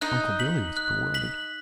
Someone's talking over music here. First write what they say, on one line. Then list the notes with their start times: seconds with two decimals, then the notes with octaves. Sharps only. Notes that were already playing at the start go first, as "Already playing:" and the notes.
Uncle Billy was bewildered.
0.01 D#4 D#5 F#6
0.39 B6 F#7
0.77 F#6
1.14 B6 F#7